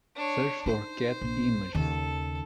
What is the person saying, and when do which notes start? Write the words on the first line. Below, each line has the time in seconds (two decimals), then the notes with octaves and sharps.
Search for cat images.
0.15 D4 C#5
0.66 D#4 C5
1.21 A#1
1.75 D#2 C#3 A4